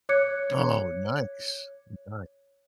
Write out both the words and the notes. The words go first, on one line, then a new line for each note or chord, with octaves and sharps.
Oh, nice. Nice.
C#5 D6 F#6 G#6 C#7